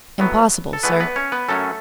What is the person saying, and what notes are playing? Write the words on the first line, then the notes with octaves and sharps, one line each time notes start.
"Impossible, sir."
A2 F#3 B3
A4
E2 E3 A3 B3 B4
B3 B4
C#4 C#5
B3 B4
F#2 F#3 A3 C#4 A4